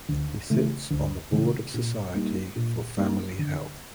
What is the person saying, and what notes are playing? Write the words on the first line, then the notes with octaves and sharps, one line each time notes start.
He sits on the board of Society for Family Health.
D2
C#3 E3 A3
D2
C#3 E3 A3
A#2
G3 A#3 D#4
A#2
G3 A#3 D#4
D3